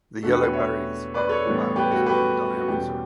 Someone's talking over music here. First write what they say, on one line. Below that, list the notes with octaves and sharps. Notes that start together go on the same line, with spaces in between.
The yellow berries are about in diameter.
E2 B2 A3 D4 F#4 A4
G4 B4
A4 C#5
C#5 E5
B4 D5
A4 C#5
A2 E3 G3 B3
G4 B4
F#4 A4
G4 B4
F#4
E2 B2 G3 C#4 G4